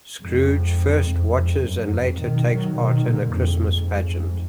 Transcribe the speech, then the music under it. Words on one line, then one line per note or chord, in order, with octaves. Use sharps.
Scrooge first watches and later takes part in a Christmas pageant.
F2 G#2
F2 G#2
F2
F#2
F2 G#2
B2 D#3
D#3 F#3
B2 D#3
A#2 D3
F2 G#2
F2 G#2